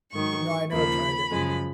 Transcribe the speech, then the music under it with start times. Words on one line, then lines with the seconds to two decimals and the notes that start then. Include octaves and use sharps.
No, I never tried it.
0.13 G#2 D#3 F#3 C#6
0.71 D#2 C#3 F3 A#3 B5
1.30 F#2 C#3 F3 G#3